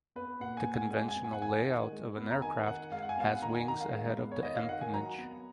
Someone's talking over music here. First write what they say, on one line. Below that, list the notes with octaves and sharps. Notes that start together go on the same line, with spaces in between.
The conventional layout of an aircraft has wings ahead of the empennage.
B3 B4
A#2 F#5
G#5
A#2
G#5
G#3 G#5
G#5
B3
G#5
F#5
D#3 G#5
D#3
G#3
B3
A#5
D#3 G#5
D#3 F#5
G#3 F5
F#5
G#5
B3 F5
F#5
D#3 A#5
G#5
D#3 A#5
F5
G#3
B3
C#5
D#3 D#5
F5
D#3 F#5
G#5
F#3 A#5
B3